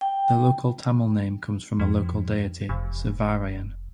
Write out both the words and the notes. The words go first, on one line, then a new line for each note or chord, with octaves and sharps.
The local Tamil name comes from a local deity, "Servarayan".
G5
F2
F1